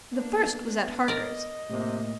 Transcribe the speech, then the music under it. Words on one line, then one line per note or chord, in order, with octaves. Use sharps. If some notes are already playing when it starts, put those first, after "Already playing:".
The first was at Harker's.
A#3 B3 D4
D4
A#4 D5 D#5
A2 C3 A#3